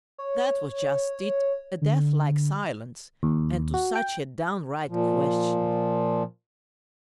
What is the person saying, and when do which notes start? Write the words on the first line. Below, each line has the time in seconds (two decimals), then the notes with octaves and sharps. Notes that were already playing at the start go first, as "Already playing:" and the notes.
That was just it, a deathlike silence, and to such a downright question.
0.18 C#5
1.82 D3
3.23 D#2
3.74 F#4
3.96 G5
4.89 A#2 F3